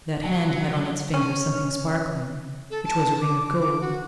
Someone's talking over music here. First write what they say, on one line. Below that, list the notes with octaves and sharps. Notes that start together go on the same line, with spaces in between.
That hand had on its finger something sparkling, which was a ring of gold.
F#3
C#4
A4
A5
D6
D6
D6
F#4